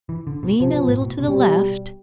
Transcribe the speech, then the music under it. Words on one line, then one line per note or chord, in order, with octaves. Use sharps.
Lean a little to the left.
E3
D3
B2
C3 F3
B2
A2
B2
C3
B2 G3